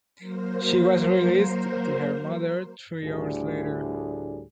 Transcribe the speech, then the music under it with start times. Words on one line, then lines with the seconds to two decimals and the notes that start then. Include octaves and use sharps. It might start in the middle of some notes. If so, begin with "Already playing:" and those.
She was released to her mother three hours later.
0.19 F#3 A#3 A#4 C5
3.03 D2 A2 G3 D4 G#4